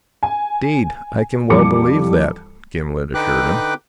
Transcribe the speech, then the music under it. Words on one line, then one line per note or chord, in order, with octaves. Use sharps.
"Indeed, I can well believe that," Gimblet assured him.
G#5
F2 E3 G3 D6 C#7
D3 D#4 B4 G5 D6 F#6